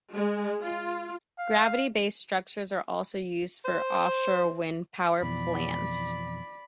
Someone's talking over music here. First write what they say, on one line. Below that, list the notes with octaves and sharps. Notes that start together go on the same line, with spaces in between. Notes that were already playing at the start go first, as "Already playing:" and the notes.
Gravity-based structures are also used for offshore wind power plants.
G#3
F4
F5
C5
F2 B2 E3 D5 B5